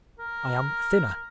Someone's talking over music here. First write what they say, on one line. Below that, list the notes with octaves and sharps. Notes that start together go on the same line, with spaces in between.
I am thinner.
A#4